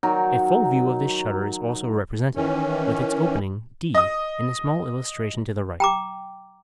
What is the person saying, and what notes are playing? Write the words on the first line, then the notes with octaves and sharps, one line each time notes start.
A full view of this shutter is also represented, with its opening, D, in the small illustration to the right.
D#3 F#3 D#4 A#4
D#3 E3 C#4
D#5 D#6
G5 A#5 D6